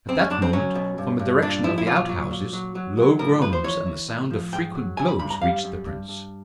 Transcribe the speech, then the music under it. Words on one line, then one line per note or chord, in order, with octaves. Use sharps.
At that moment, from the direction of the outhouses, low groans and the sound of frequent blows reached the prince.
F#2 C4
C#4
F#2 D4
C4
F#3 C#4
B2
G2
G2
A#2 D4
F3 E4
E4
A#2 F4
F#3
A#2
F#3
F#3
F#3
A2 A#4
F3 B4
C5
E3 C#5
E3
A2
F3
G#2 G5
F#3
G2 G#5
B5
G2 B5
A#5
G3 F5
F#2
G2
G2